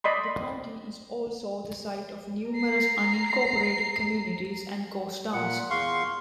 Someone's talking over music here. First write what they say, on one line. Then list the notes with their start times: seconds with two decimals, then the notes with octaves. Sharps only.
The county is also the site of numerous unincorporated communities and ghost towns.
0.04 D5 D#5 B5 C6
2.51 A#5 C7
5.33 A#2 F#5
5.70 E2 F5 C6 C#6